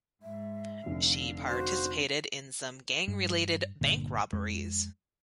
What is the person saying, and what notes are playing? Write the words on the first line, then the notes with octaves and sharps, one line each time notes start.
She participated in some gang related bank robberies.
G#2 G#3 E5
F1 D3 F5
F#4 C5
G2
G1 A#2 D3
F2 G#3